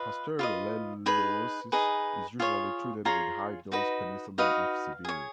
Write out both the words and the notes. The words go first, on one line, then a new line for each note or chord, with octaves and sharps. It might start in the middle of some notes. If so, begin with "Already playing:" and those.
Pasteurellosis is usually treated with high-dose penicillin if severe.
Already playing: F4 B4 D#5
F4 B4 D#5
D#4 G#4 B4 B5
D#4 G#4 B4
F4 G#4 C#5
F4 G#4 C#5 A#5
D#4 F#4 B4 D#5
D#4 F#4 B4 D#5 F5
G#4 C#5